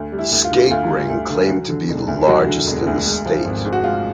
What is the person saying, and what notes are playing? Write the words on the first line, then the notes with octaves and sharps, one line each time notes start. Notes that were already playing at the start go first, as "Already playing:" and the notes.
The skate rink claimed to be the largest in the state.
Already playing: D2
G3
E4
D2
F4
D3
D2 F4
G3
D2
D3
F#3
D3
E1
D2
F#3 F#4
D3
E1
D2
G#3
F3
G#1
G#2
F#4
G#3 F4